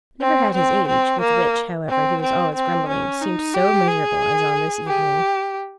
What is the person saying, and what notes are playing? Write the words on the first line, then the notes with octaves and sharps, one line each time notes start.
Never had his age, with which, however, he was always grumbling, seemed so miserable as on this evening.
C4
C4
C4
A#3
C4
C4
C4
C#4
D#4
G4
G#4
G4